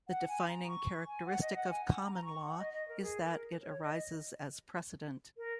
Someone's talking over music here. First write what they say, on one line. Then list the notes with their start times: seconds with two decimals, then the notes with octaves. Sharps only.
The defining characteristic of "common law" is that it arises as precedent.
0.08 F#5
0.28 G#5
0.48 A#5
0.68 C#6
1.07 G#5
1.26 F#5
1.41 D#5
1.56 F#5
1.70 G#5
1.85 F#5
2.05 A#5
2.15 A#5
2.25 C#6
2.44 F#5
2.59 D#5
2.74 D#5
2.88 A#4
3.03 G#4
3.22 A#4
3.62 C#5
3.81 D#5
5.37 A#4